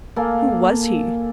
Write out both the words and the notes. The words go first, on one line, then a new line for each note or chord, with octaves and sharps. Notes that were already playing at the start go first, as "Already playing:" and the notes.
Who was he?
A#3 A4 G#5